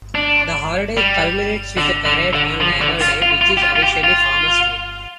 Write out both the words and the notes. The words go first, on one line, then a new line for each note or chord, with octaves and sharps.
The holiday culminates with a parade on Labor Day, which is officially Farmer's Day.
D4
G3
D3
D3
D3
F3
D3
F4
F4
F4
G4
F4
F4
G4
F4